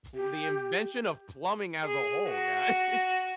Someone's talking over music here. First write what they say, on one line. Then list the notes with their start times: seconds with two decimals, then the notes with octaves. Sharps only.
Pl the invention of plumbing as a whole, guys.
0.15 G4
1.82 G#4
2.28 F#4